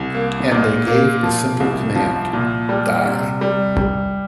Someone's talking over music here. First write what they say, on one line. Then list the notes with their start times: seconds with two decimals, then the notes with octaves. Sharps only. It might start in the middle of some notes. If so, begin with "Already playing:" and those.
And they gave a simple command: Die.
Already playing: C2
0.15 A#3
0.51 A#2
0.87 A#3
1.23 F3
1.60 C2
1.96 F3
2.33 A#2
2.69 G3
3.05 C3
3.41 G3
3.78 G3